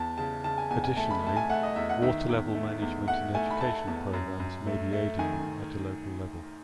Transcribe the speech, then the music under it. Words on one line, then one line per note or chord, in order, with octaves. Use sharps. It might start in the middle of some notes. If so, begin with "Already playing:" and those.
Additionally, water-level management and educational programs may be aiding them at a local level.
Already playing: E2 A5
C#3 A5
C#3 A5
G#5
E2 G#5
G#5
A3 A5
B5
A3 A5
G#5
A3 F#5
D#5
E2 E5
F#5
D#3 E5
E2
A3
E2
A3 F#5
A3 G#5
B5
A3 A5
E2
F#2
F#2
A3
A3
D#3 G#5